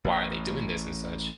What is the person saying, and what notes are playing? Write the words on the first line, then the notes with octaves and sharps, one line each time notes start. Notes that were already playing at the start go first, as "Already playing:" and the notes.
"Why are they doing this," and such.
A1 A2